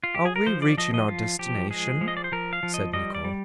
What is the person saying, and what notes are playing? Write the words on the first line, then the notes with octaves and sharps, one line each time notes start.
"Are we reaching our destination?" said Nicholl.
F4
G4
G#4
A#4
F3 C5
D5
F3 D#5
D#5
F3 F4
F3 G4
G#3 G#4
F3
D#5
D5
C5
F3 A#4
F5
F3
D#5
G3 D#5
D5
G3